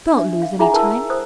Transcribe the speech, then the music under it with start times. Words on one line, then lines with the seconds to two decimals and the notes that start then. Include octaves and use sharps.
Don't lose any time.
0.13 D4 E5
0.42 F5
0.59 E4 G#4 E5 F#5 G#5 A#5
0.74 A#4 A5 E6
1.10 C5 D#6